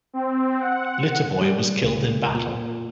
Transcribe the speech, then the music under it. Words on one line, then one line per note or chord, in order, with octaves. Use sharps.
Litovoi was killed in battle.
C4
F#5
G3
C#2
A#2